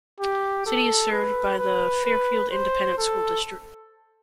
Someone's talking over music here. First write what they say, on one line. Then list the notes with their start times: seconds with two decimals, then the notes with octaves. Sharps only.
The city is served by the Fairfield Independent School District.
0.20 G4
0.66 A4
1.13 B4
1.59 B4
2.05 B4
2.52 C5
2.98 A4